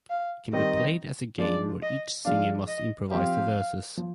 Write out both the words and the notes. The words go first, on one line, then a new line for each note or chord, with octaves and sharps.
It can be played as a game, where each singer must improvise the verses.
F5
D#3 G3 C4 D#4 D#5
F3 G#3 D4 D5
D#5
F3 G#3 D4 F5
D#5
F3 C4 G4 F5
F3